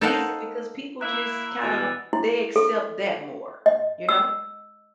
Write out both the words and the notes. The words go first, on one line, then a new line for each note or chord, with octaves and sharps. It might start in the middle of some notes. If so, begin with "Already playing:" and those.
He's because people just kinda they accept that more, you know?
D#4 A4 A#4 C5 F5 F#5
A#3 E4 E5 E6 F#6
B2 E3 A6
E4
A4
D#5
E6